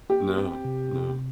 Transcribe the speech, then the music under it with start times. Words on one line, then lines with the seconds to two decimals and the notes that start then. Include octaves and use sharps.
No. No.
0.09 A#3 G4
0.37 C4
0.65 C3
0.93 C3